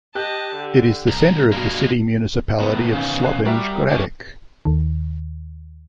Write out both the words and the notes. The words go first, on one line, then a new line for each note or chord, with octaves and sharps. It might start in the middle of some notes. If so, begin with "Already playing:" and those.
It is the centre of the City Municipality of Slovenj Gradec.
G4 D#5 A5 F#6 G6
D3
C2 A#5 D#6
G2 B2 G#3 A#3 F6
A2 B3 A#5
A1 B2 D#3 C#4 F5
G#5 F#6 C7
G3 F#4 A#4 E5
A2 C#4 D4 G5 G#5
D#2 D#3